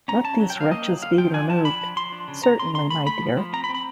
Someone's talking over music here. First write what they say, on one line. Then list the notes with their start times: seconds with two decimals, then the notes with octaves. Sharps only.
'Let these wretches be removed.’ ‘Certainly, my dear'.
0.08 C#4 A#5
0.24 C#4 A5
0.40 F#3
0.50 G5
0.56 F#3
0.61 F5
0.71 A#3 D#5
0.87 F#3
1.02 D3 F5
1.18 F3 G5
1.34 D4 G#5
1.50 F3 A5
1.65 D4 B5
1.81 F3
1.96 F3 C6
2.12 D4
2.28 C#3
2.43 C#3 A#5
2.59 C#3 C6
2.75 C#3 C6
2.90 A3 B5
3.06 A3 B5
3.22 F3
3.37 F3
3.53 C4 A#5
3.64 B5
3.69 C4
3.74 B5